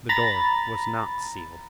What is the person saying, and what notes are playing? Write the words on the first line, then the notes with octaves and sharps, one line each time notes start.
The door was not sealed.
A#5 B5 A6